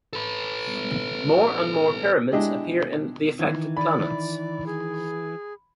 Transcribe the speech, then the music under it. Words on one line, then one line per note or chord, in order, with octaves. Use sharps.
More and more Pyramids appear in the affected planets.
A4 B4
G#3 D4 E4 G4 G#4 D#5
D#3 E3 G#6
D5 B5
G#4